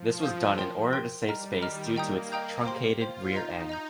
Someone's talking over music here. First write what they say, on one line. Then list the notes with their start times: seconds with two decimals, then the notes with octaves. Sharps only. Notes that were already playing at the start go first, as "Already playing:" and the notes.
This was done in order to save space due to its truncated rear end.
Already playing: F3
0.23 F5 D#6 G6
0.58 A#4 G5 C6
0.93 A#4 G5 C6
1.27 G3 D#5 A#5 F6
1.62 D#3 D#5 A#5 F6
1.96 A#3 D#5 G5 A#5 D#6 G6
2.32 D#5 G5 A#5 D#6 G6
2.65 G4 C5 G5 C6
3.00 F4 C5 G5 C6
3.36 D#4 D#5 A#5 G6
3.69 D#5 A#5 G6